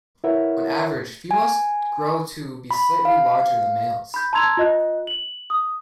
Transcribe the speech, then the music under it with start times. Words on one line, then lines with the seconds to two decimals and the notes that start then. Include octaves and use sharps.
On average, females grow to be slightly larger than males.
0.24 E4 A#4 B4 C#5 E5 F#5
1.31 G#5
2.71 B5
3.05 F5
4.14 B5 G6
4.33 A5 A#5 C6 E6 G#6 F7
4.57 F4 D#5 F#6
5.07 F#7
5.50 D#6